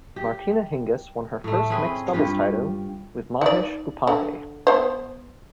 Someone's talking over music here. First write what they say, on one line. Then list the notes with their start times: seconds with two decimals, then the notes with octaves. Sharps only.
Martina Hingis won her first mixed doubles title with Mahesh Bhupathi.
0.16 G4
1.44 A2 A3
1.70 C4 C#4 G#4 B4
2.13 G2 F4 G4 B4
3.41 D#4 D5
4.07 D3
4.67 B3 C5